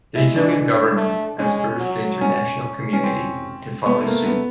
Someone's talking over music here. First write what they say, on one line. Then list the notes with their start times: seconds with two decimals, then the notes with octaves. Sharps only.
The Italian government has urged the international community to follow suit.
0.15 G#3 E4
0.36 D4
0.97 A3
1.38 G#3 C#4
1.80 F#3
2.21 C#4
2.93 C#4
3.03 C4
3.85 A3 B3
4.06 A#3
4.26 B3